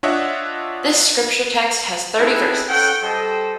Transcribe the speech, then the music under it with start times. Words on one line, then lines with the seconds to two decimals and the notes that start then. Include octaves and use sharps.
This scripture text has thirty Verses.
0.03 D4 F4 C#5 D#5 E5 F#5
2.19 C4 D#4 E4 G#4 A4 B4
2.68 C#4 A4 F#5 G5
3.02 G3 A4 C5 D#5 G5 A5